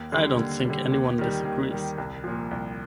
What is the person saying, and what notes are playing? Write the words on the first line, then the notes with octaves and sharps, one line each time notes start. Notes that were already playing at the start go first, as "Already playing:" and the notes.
I don't think anyone disagrees.
Already playing: D#2
D3 G3
D#2
D3 G3
D#2
D#3 G3
D#2
D#3 G3
C2
A#2 F3
C2